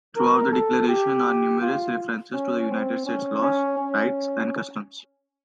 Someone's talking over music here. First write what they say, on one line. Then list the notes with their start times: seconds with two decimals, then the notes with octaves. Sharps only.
Throughout the declaration are numerous references to the United States laws, rights, and customs.
0.17 A#4
0.52 A4
0.89 G4
1.61 F4
2.33 C#4
2.70 C4
3.06 C#4
3.42 C#4
3.78 C#4